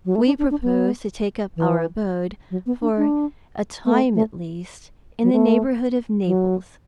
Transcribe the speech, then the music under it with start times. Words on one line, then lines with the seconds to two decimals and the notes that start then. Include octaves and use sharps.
We propose to take up our abode, for a time at least, in the neighborhood of Naples.
0.05 F#3
0.15 A3
0.27 D4
0.39 D4
0.50 D4
0.62 B3
1.56 E3
2.51 F#3
2.66 B3
2.82 D4
2.97 D4
3.85 B3
3.92 A3
4.15 A3
5.23 F#3
5.32 A3
6.27 F#3